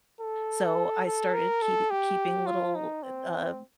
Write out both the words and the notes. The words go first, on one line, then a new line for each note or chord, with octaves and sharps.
so I started keeti keeping little, eh, uh,
A4
A4
A#4
A4
G4
F4
D#4
C4